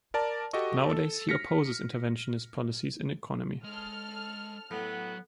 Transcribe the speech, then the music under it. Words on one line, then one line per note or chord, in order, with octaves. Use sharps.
Nowadays, he opposes interventionist policies in economy.
A#4 D5 A5
F#4 G4 A4 D#5 C#6
A4
F6 A#6 B6 C#7
G#3 A4 F6
A2 F#3 B3 F#5